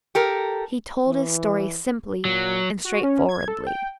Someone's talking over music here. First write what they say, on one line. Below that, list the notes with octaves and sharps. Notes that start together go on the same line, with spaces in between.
He told his story simply and straightforwardly.
G4 A4 A#4
E3
A#2 F#3
F#4
C#4
G#6
A4
G5